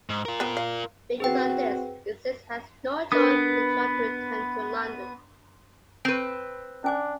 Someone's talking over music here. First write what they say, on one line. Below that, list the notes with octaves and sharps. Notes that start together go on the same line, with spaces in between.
Because of this, Essex had no choice but to try to return to London.
G#2
F4 A#4
B3 C4 B4
F5
C4 F#4 G#4 B4 G5
B3 D4 A#4 B4 D#6
C4 B4
C#4 D4 G#5 D6